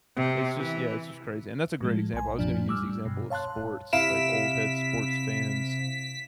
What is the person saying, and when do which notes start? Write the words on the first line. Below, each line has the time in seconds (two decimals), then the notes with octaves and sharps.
It's just Yeah, it's just crazy, and that's a great example, I was gonna use the example of sports, like old-head sports fans
0.16 C3
0.57 E3
1.81 A2 F3 G#3
2.13 B1 G#5
2.39 F#2 A#2 F3 D4
2.68 G3 D6 E6 F6
3.05 G2 B2
3.30 C#5 F5 A5 C6 F#6
3.93 C3 E4 F5 B6 D7 E7